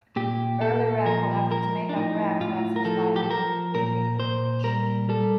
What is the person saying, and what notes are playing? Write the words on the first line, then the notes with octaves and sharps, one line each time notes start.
Early Rag collectors may have "ragged" passers-by until they made a donation.
A#2 G4
A#2 A4
F3 A#4
F3 A#4
D4
A2 D#4
A2 F4
A#4
F3 A4
G4
A4
F3 A#4
A#2 A#4
A#2 C5
G3 A#4
G3 A4